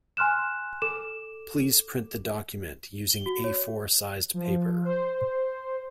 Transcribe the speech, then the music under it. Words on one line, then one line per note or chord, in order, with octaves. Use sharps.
Please print the document using A-four sized paper.
G#5 C6 F6 F#6 E7
A4 D6 E7
G7
F#4
C#5
F3
C5